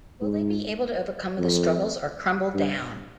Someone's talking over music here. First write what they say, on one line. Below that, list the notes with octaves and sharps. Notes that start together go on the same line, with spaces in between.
Will they be able to overcome the struggles or crumble down?
G#2
F2
G2